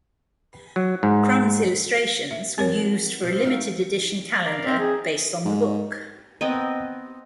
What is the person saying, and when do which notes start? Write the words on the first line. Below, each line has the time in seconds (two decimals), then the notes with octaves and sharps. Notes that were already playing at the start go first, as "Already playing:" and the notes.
Crumb's illustrations were used for a limited-edition calendar based on the book.
0.76 F#3
1.03 G#2
2.31 E5
2.58 G2 C4 A#4 C#5
2.76 F#3
3.23 C3 F3
3.44 A3 D#4 F5
4.45 A#4 D5 F5
4.66 C4
4.79 C4 D#4 G#4
5.45 G#2
6.41 B3 C4 A#4 D#5